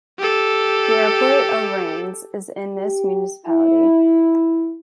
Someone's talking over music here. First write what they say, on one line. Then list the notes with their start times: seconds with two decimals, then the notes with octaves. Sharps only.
The airport of Rennes is in this municipality.
0.19 G4 A4
2.75 G4
3.46 E4